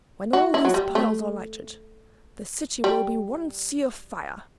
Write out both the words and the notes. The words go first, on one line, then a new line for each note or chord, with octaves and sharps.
"When all these piles are lighted, the city will be one sea of fire."
F#4
E4
F#3
G3
A3
G3